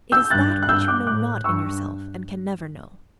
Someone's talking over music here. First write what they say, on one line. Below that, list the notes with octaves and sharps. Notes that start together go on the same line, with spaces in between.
It is that which you know not in yourself and can never know.
E6 G6
G2 F#6 A6
F#6
G2 E6 G6
D6 F#6
A2 D6 F#6
G2 C#6 E6